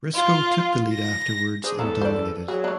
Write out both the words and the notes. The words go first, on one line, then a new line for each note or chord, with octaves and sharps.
Briscoe took the lead afterwards and dominated.
F4
A#6
D4 G#4 C5
E2 B3 A4 A#5
C5 D5
F#3 G#4
A3 D4